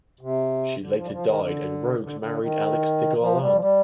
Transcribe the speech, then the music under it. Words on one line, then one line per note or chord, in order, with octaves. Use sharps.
She later died and Rogues married Alix de Garland.
C3
D3
F3
G3
F3
D#3
D3
D3
D3
D#3
F3
G3
F3
G3